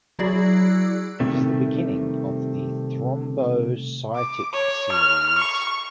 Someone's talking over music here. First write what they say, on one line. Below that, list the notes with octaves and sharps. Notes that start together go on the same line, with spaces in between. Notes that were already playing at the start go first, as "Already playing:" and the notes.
It is the beginning of the thrombocytic series.
F#3 E4 F#4 G#4 D5
C3 D#3 G3 A3 C4
D6
C#5
F6
C#6